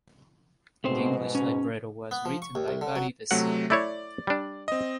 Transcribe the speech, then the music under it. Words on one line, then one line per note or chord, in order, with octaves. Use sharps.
The English libretto was written by Buddy DeSylva.
G#2 B2 A3 C4 C5
C#4
B3
F3
C#6
D#2
C2
D3
F#3
C3 F#3 A3 F#5
A3 E4 C#5 D5
G3 D4
C4 D#5